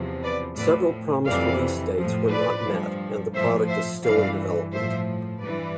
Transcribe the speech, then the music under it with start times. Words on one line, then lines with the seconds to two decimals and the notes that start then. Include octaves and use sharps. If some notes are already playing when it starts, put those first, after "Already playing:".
Several promised release dates were not met and the product is still in development.
Already playing: E2 C3 F3
0.23 B4 D5
0.57 A2 F3 B4 D5
1.26 F2 C3 E3 D5 F5
1.96 F3
2.01 A2
2.30 B4 D5
2.65 G2 F3
3.34 A2 F3 C5 E5
3.69 C5 E5
4.04 G2 E3 D5 F5
4.73 A2 F3 C5 E5
5.42 G2 E3 B4 D5